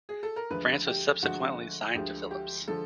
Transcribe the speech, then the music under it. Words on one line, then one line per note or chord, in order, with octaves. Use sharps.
France was subsequently signed to Philips.
G#4
A4
A#4
D2 D3 F3 G#3 B4
G4
D2 D3 F3 G#3 F#4
D2 D3 F3 G#3 G4
G4
D3 F3 G#3 A4